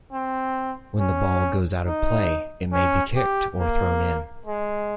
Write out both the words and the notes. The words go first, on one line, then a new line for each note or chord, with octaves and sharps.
When the ball goes out of play, it may be kicked or thrown in.
C4
C#4
D#4
C#4
G4
A#3
G#3